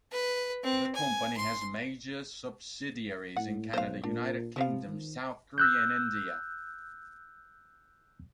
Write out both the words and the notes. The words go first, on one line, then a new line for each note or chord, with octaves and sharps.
The company has major subsidiaries in Canada, United Kingdom, South Korea and India.
B4
C4
G#5
C6
A2 F#5
B1 C5 F5
A#2 D4
C3 F3 B3 F5
D#3
E6 F#6 G6